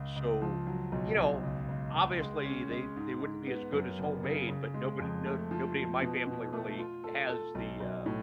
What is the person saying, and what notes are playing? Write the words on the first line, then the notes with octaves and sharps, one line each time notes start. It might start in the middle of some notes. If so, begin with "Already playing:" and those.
So, you know, obviously, they they wouldn't be as good as homemade, but nobody no nobody in my family really has the, uh,
Already playing: C#2
C#2
F3
F#3
B1
B1
C#2
C#2
C#2
G#3
C#4
G#3
G#2
G#2
B3
F#2
F#1
C#3
C#3
G#3
F2
A3
F3
F3
B2
B2
A3
F4
A4
A4
B1
B1
A2